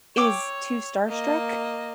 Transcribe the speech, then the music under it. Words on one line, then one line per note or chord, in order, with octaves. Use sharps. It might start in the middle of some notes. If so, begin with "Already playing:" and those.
is too starstruck
C#5 G5 D6 E6
A#3 D#5